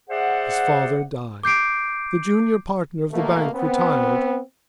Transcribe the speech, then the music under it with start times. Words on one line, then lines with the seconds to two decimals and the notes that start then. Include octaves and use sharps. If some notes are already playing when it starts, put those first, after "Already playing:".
His father died; the junior partner of the bank retired.
0.10 G#4 C5 D5 E5 F#5
1.43 D6 G6 C7 D7
3.12 B2 A3 A#3
3.54 B3 C4